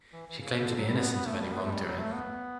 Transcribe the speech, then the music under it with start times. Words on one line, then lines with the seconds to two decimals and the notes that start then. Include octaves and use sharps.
She claimed to be innocent of any wrongdoing.
0.13 E3
0.27 E3
0.41 C#3
0.55 C#3
0.66 D3
0.77 F#3
0.88 G3
0.98 B3
1.13 B3
1.27 A3
1.41 G3
1.52 B3
1.63 A3
1.73 G3
1.84 F#3
1.99 A3
2.13 B3